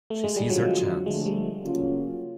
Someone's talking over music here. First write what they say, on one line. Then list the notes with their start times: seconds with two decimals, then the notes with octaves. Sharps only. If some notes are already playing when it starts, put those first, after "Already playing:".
She sees her chance.
0.10 A3
0.24 G#3
0.36 G3
0.49 D3 F3 F#3 G#3 C4 F4
1.06 D3 F3 G#3 A3
1.26 G3
1.64 C#3 F#3 A#3 C#4 F4